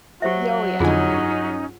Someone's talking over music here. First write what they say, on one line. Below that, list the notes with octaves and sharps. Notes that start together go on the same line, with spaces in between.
Y oh, yeah.
F#3 G4 C5 E5
F2 D3 C#4 D#4 F4 G#4 G#5 B5
G2